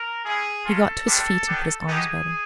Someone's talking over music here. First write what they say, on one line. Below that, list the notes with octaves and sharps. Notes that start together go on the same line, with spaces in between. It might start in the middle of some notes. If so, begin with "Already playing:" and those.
He got to his feet and put his arms about her.
Already playing: A#4
G#3 C#4 E4 G#4
G#3 C#4 F4 A4
G3 B3 D4 F4
B3 D4 G4
G#3 B3 D#4 G4 G#4